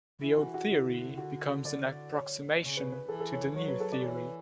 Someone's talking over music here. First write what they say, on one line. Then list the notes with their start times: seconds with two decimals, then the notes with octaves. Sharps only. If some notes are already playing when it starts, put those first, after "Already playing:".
The old theory becomes an approximation to the new theory.
0.21 E3 E4
0.38 F#4
0.54 F#4
0.70 D3 E4
1.18 F#4
1.65 D5
2.13 C#5
2.61 C#3
2.77 B4
2.92 B4
3.09 E3 A4
3.20 A4
3.32 C#5
3.44 C#5
3.56 F#3 C#5
3.68 B4
3.80 A4
3.92 D5
4.04 E3 C#5
4.16 B4